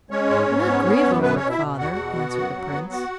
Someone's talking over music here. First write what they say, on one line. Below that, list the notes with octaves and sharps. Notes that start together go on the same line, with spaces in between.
'Do not grieve over it, father,' answered the prince.
G#3 C#4 C#5
G#2
G#2
B3
B3
F#2
B2 B3 B4
B2 C#4 C#5
E4 E5
B2
E2 F#4 F#5
B2
B3
F#2
F#3
B3
B3 F#4 F#5